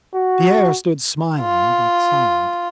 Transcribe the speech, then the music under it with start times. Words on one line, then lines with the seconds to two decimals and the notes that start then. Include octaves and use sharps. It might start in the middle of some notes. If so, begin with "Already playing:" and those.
Pierre stood smiling but silent.
0.15 F#4
1.40 F4